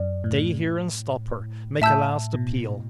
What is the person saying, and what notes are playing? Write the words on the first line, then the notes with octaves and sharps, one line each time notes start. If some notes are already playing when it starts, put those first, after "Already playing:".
'Stay here and stop her!--make a last appeal!
Already playing: F#2 D5
A2
A2 E5 A5 E6 G6
B2